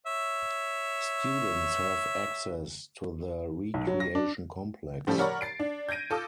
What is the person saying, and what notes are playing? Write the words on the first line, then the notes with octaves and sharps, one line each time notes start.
Students have access to the recreation complex.
C#5 E5
B1
F#3
A#6
D4
A2 C#3 F3 G3 C#4 A4
A#4 C#5 D5 F#5 A#5 B5
A6 C7 D7
D4
G6 G#6 A#6 D7 D#7
F4 A4 D6 D#6